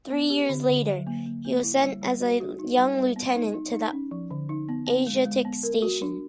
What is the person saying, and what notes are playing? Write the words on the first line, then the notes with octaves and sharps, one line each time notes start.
Three years later, he was sent as a young lieutenant to the Asiatic Station.
B3
G4
D3
D3
F#3
A#3
A#3
A#3
E4
G3
G3
F#4
F#4
D#4
G3
G3
B3
D#4
D#4
D#4
C#4
F3
D3
D#4
B3
B3
G#3
G#3
B3
A#4
F#4
D4